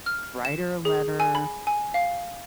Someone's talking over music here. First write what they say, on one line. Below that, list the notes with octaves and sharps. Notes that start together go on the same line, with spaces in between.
write her a letter,
F6
E7
G#4
G#5
B5
G#5
F5